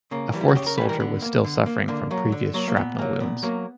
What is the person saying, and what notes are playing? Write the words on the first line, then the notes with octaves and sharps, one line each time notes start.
A fourth soldier was still suffering from previous shrapnel wounds.
C#3 A#3
E3 G3
E4
F#4
C#3 G4
A#4
E3 G3 B4
A#4
D3 B3
A#3
D3
A#3
D3 A#3
F#3 A#3
D3
F#3 A#3
A#3
A#2 B3
F#3 A#3
A#2 B3
F#3 A#3